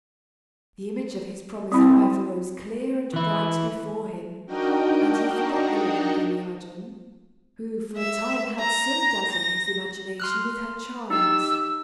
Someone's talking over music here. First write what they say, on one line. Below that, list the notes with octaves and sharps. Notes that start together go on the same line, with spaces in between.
The image of his promised wife arose clear and bright before him, and he forgot the lovely Guilliadun, who, for a time, had so dazzled his imagination with her charms.
G3 C4 E4
E3 E4
D4 D#4 F#4 A#4 D#5 G5
E5
A#5
A#6
C6 F6 F#6
D#4 G4 E6